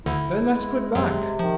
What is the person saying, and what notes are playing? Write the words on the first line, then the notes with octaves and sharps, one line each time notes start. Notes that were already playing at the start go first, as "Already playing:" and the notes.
"Then let's put back."
D2 D3 E4
G#3
F#2 C3 F#3
D#3 F3